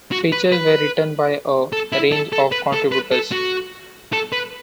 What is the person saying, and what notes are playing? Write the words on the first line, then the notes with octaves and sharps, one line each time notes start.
Features were written by a range of contributors.
F#4
B4
B4
A4
E4
A4
A4
B4
A4
B4
A4
F#4
A4
B4